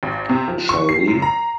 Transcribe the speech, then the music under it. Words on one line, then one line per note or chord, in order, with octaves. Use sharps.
Shall We?
G#1
C3
F3
C#6
C7
F#2
A#5